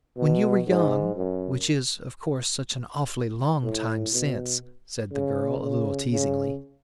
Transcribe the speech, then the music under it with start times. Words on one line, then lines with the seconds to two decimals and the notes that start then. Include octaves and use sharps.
"When you were young--which is, of course, such an awfully long time since!" said the girl, a little teasingly.
0.17 B2
0.67 G#2
1.16 F#2
3.63 A2
4.13 B2
5.12 C#3
5.61 C#3
6.11 C#3